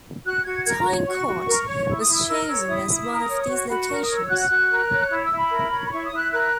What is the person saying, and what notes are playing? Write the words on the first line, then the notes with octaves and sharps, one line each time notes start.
Tyne Cot was chosen as one of these locations.
F#4 F#6
F#4 G#6
A#4 G#6
A#5
C#5
F#4 C#6
F#4
A#4
C#5
E4 C#6
D#6
E4
D#6
A#4 E6
C#5 E6
E4 D#6
E4
A#4
C#5
F#4 C#6
F#4 B5
A#4 C#6
D#6
C#5
E6
F#4 F#6
F#4
A#4
C#5
E4
E6
E4
B5
A#4
C#5
B5
E4 C#6
D#6
E4
F#6
A#4 F#6